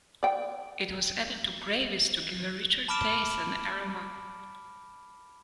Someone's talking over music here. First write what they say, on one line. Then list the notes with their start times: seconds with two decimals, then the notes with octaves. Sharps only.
It was added to gravies to give a richer taste and aroma.
0.23 D5 G5
2.88 A5 B5 D6 F6 D7 E7